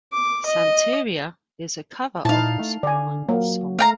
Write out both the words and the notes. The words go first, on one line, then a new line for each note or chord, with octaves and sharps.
"Santeria" is a cover of the Sublime song.
D6
D#5
A#2 D#4 E4 F5 A5
A3
D3 D5 G#5
F#3 A#3
A3 F5 G5 A#5